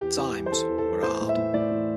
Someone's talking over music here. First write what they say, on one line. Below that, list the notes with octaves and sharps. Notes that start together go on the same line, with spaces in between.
Times were hard.
E2 G4
E3
E2
C5
E3 A4
E2
A4
E2
E3 C5
A2
E5
A2
A2 D5
E3